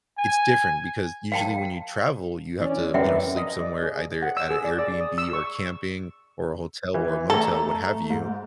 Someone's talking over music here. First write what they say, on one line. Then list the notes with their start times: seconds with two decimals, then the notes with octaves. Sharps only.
it's different because usually when you travel, you have to, you know, sleep somewhere, either at an Airbnb or camping or a hotel or a motel, what have you.
0.18 G#5
1.32 F5 G5 A5
2.60 E3 C#4 D5
2.94 F#2 B4 D5 E5 F#5 G5
3.37 D#5
3.61 D5
3.83 G#4
4.22 F#5
4.37 E6
4.51 G#4
4.64 D5
4.79 D5
5.01 D#6
5.18 E6
5.33 C#6
6.94 E3
7.30 A3 A4 A#5
8.10 G#2